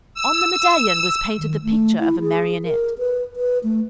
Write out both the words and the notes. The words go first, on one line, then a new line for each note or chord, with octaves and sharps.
On the medallion was painted the picture of a Marionette.
E6
D#3
A3
E4
G#4
A#4
B4
B4
A3